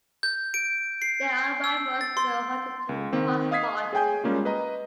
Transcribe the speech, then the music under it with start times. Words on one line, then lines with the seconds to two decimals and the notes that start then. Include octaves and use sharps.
They are rivals with the Huntington Park Spartans.
0.23 G6
0.54 D7
1.02 C7
1.64 E6
2.01 A6
2.17 C6
2.89 C#2
3.12 D#3 A#3 C4
3.51 D#5 F5 D#6 G#6 B6 C7
3.93 G#4 C#5 G5 G#5 G6
4.24 G3 G#3 A#3 C#4 F4
4.45 B4 D#5 A#5